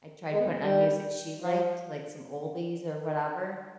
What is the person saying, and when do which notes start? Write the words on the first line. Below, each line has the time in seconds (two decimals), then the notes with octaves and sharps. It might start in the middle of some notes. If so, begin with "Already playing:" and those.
I tried putting on music she liked, like some oldies or whatever.
0.30 G#3
0.38 B3
0.50 G#3
0.61 G3
1.40 F3